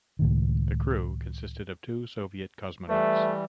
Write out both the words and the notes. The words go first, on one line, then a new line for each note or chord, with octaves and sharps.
The crew consisted of two Soviet cosmonauts.
C#2 A2 D#3
E3 G3 A3 B4 E5